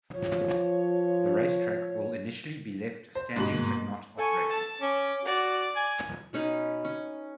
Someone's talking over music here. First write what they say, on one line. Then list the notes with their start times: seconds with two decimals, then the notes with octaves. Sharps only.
The racetrack will initially be left standing but not operating.
0.14 F3 C#5
3.15 C5
3.36 G#2 B2 D4 G4 B5 F#7
3.52 G2 A#3 C6
4.18 A4 G#5 C#6
4.50 A5
4.81 C#4 D6
5.25 F#4 D5
5.76 G#5
6.33 B2 C#4 D#4 B4
6.85 C#4